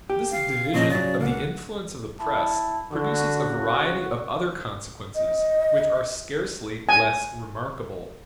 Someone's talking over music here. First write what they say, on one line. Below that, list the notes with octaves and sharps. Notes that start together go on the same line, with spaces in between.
This division of the influence of the press produces a variety of other consequences which are scarcely less remarkable.
G4
F5
A#2 C#3 F3 D#5
C#3 F#3 D5
C#2 A#3 F#5
E4 A5
D3 F#4
C#3
D#5
G#5